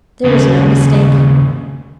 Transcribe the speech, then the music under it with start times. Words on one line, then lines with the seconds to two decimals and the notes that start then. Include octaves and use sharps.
There was no mistaking.
0.24 D#2 C#3